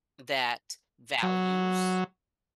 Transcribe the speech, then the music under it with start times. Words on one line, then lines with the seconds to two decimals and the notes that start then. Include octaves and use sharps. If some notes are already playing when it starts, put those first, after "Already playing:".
that values
1.23 F#3